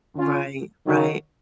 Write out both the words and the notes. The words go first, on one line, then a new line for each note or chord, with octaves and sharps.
Right, right.
C#4 F4
D#3 F#3